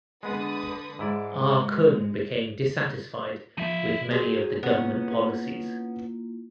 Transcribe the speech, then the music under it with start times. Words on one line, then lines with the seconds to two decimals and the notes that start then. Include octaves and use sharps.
Ah Kun became dissatisfied with many of the government policies.
0.23 D3 G#3 B3 B4 D#6
0.99 G#2 G#3 E4 D5
3.58 F3 D#4 E5
4.11 F#3 G#4 C5
4.63 A#3 B3 C#4 E4 F4